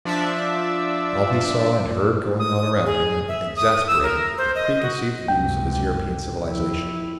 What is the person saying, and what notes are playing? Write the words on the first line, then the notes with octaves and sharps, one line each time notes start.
All he saw and heard going on around him exasperated the preconceived views of his European civilization.
F3 D4 D5 E5
D#6
G#4
E5
D#6
E6
A#4
C5
D#5
F#4
C#2 C3 G5
F2 E4